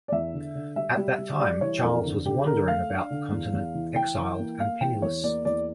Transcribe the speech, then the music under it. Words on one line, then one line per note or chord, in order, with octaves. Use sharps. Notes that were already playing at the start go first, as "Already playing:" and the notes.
At that time, Charles was wandering about the Continent, exiled and penniless.
D5
E2 E5
D3
D3
G3 E5
G3
G3
G3 D5
E3 C#5
F2 A#4
D3
D3 G4
D3 A#4
A3 F5
D4
D3
E2
E2
E3
E3 G5
E3
A#3
A#3 F5
E3 G5
E2 C#5
A#3 D5
E2 D5